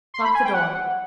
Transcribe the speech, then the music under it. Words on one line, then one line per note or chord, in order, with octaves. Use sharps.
Lock the door.
C6
B5
G#5
G5
F#5